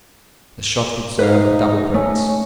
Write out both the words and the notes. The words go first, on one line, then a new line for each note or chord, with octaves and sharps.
The shot would serve a double purpose.
C3 D#4 B4 F5
A3 C#4